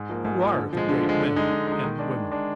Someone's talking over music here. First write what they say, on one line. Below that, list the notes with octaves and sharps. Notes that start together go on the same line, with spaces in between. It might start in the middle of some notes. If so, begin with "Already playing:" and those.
Who are the great men and women?
Already playing: G#2
F3 A#3
G#2
F3 A#3
D3
F3 G#3
D3
F3 G#3
D3
G#3 D#4
D3
G#3 D#4
D#3
G#3 D4
D#3
G#3 D4